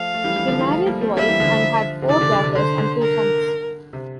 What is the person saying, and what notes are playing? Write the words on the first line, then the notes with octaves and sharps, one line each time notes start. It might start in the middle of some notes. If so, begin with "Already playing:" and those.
He married twice and had four daughters and two sons.
Already playing: F3 A3 F5
A3
E3 G3
E3 G3
D3 F3
E3 G3
F3 A3
G3 A#3
A3 C4
G3 A#3 E5
E3 G3
D3 F3
D3 F3
D3
C3 E3 D5
D3
D3
C3
D3 C5
D3
A#4
C3